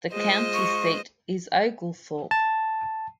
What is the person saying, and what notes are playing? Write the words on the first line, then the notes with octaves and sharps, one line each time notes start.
The county seat is Oglethorpe.
G#3 F4 C5 D#5
C#6
A5